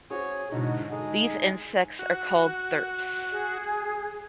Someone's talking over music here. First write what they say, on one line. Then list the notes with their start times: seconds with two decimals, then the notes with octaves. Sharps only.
These insects are called thrips.
0.11 C#4 F#4 G#4 C5 C#5
0.52 G#2 B2 D3 E3 D#4 F#4
0.92 G#3 D#4 G#4 A4
1.99 F#4
3.32 G#4